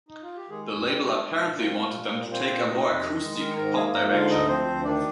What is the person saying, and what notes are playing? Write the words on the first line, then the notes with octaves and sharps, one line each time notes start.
The label apparently wanted them to take a more acoustic, pop direction.
D#4
F4
G4
D#3 G#3 G#4
F2
G3 C4
D#4
C4 D4
G#3 D4
A#2
A#3 C4 A#4
A#2
G3
A#2
A#3 C4 C5
A#2
C3 D#4 D#5
F2
D#3
G#3
D#3 A#4 A#5
G#2 A#4 A#5
A#3 G#4 G#5
G#2 A#4 A#5
D3 F4 F5
D2 D#4 D#5
F3 C4 C5
D2
D#3 D4 D5